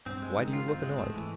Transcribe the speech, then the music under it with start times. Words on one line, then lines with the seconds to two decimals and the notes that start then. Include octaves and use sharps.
Why do you look annoyed?
0.06 G2 C4
0.22 G#3
0.37 D#3
0.53 F4
0.68 C4
0.83 G#3
0.99 G#2 A3
1.14 E3